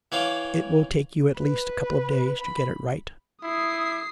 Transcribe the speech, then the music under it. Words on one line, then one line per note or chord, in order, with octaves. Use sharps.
It will take you at least a couple of days to get it right....
E3 C#5 F5 G5 D6
B4
B5
E4 D#6 C7